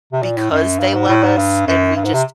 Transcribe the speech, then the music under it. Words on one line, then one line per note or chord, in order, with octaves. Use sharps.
because they love us, and we just,
C3
A#2
A2
F#2
G2
G#2
A2
G#2
G2
F#2
G2
G#2
C3